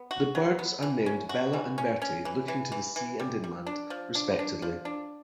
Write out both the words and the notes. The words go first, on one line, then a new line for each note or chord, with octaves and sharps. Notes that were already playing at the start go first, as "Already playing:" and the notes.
The birds are named Bella and Bertie, looking to the sea and inland, respectively.
Already playing: B3
F#4
F#3
B3
E3
C#4
F#4
E3
C#4
C#4
E3
E3
E3
E3
G3
G3
D4
F3
D4
D4
F3
D4